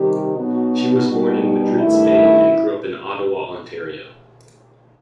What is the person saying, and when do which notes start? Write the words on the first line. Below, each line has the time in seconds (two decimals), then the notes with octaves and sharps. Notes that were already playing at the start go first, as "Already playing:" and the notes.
She was born in Madrid, Spain, and grew up in Ottawa, Ontario.
Already playing: C3 D#3 G3 G4
0.36 B2 F#3 B3 D#4 F#4
1.08 B2 G3 D#4
1.80 G2 D#3 A3 E4